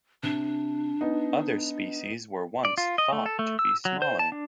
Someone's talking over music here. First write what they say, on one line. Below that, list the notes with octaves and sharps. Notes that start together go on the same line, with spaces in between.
Other "species" were once thought to be smaller.
C3 D4
B3 D#4
D5
F4
D#5
A3
A4
A3
E6
F#3
C5
A5
D4